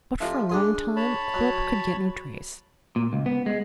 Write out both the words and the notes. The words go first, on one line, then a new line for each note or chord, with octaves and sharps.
But for a long time Quilp could get no trace.
F2 C3 F3
D4 G#4 C6
C#5 A5 B5
F#3
A#2
C#2
B3
G#3